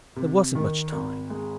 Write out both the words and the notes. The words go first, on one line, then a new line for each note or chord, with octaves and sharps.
There wasn't much time.
C3
D#3
G#1
G#3